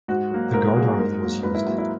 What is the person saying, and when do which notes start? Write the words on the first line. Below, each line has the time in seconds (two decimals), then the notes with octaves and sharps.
The guard army was used.
0.08 G#2 F#4
0.31 F#3 A#3
0.54 G#2 A#4
0.76 F#3 A#3 G#4
0.99 G#2 A#4
1.21 F#3 A#3
1.43 G#2 B4
1.55 E4
1.66 F#3 A#3 E4
1.78 E4